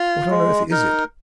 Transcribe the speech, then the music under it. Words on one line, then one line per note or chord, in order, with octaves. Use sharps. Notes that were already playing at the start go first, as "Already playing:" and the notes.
"What on earth is it?"
Already playing: F4
G#3
D#4 A#4